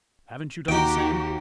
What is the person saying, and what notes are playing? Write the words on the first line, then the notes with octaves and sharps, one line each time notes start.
Haven't you done the same?
D#2 D#4 F#4 G4 G5